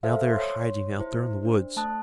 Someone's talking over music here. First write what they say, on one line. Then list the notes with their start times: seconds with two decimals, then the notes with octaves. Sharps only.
Now they are hiding out there in the woods.
0.03 A4 C5 E5 F5
0.33 C#5 C6
0.99 E4 C5
1.43 D4 C5
1.76 A3 A5 D#6 F#6